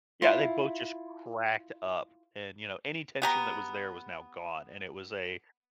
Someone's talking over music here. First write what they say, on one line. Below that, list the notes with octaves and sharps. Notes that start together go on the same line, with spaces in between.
yeah, they both just cracked up and, you know, any tension that was there was now gone and it was a
E4 F4
B3 G4 A#5